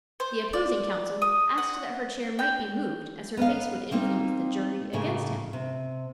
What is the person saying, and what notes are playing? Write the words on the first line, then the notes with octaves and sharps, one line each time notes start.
The opposing counsel asked that her chair might be moved, as her face would influence the jury against him!
C5
D5
D#6
F#5
G5
B3 A#4 D#5 F5
G3 A#3 C4 D#4
A2 C#3 A#3 G#4
C3